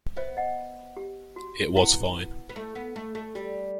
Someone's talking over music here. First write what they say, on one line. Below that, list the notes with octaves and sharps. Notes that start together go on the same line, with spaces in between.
It was fine.
B3 C5 E5
D#5 F#5
G4
F#4
B3 E4
B3
A3
B3
A3
A3
G3